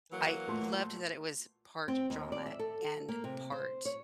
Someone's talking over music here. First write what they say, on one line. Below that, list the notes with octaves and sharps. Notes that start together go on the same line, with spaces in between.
I loved that it was part drama and part
E3 F#3 A#3
A#2 A3 C6
C4
D#2
D5
E5
A4
A#3
C3
C5
C#5